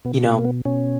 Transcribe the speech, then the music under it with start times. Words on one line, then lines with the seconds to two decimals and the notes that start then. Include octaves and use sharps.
You know
0.05 B2 B3
0.25 A#3
0.38 A#3
0.45 B3
0.65 B2 C#4